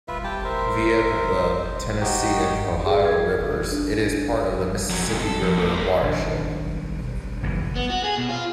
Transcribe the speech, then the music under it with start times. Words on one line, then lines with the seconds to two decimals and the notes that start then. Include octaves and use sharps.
Via the Tennessee and Ohio rivers, it is part of the Mississippi River watershed.
0.08 F4 B4 E5
0.24 E4 G4 G5 A5
0.45 A#4 C5 E5
1.49 C5
2.01 D#4 F#4 G4 G5
2.86 G#4
3.05 G#6
3.72 D4
4.90 F2 F#3
5.08 G#2 C3
5.23 A4
5.42 F2
5.58 A3 A#3
5.73 A#4 C5
6.03 B1 D#3 D4
7.43 F#1 B1 C#3 E3
7.76 B3
7.90 F#4
8.04 G#4
8.18 B2
8.29 F4